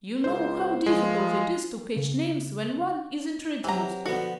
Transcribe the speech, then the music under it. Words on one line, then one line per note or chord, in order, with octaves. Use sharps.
You know how difficult it is to catch names when one is introduced.
C#2 C5
F3 G#3
C#3
C3 E3 F#3 A#5
D3 F3 B3 F#4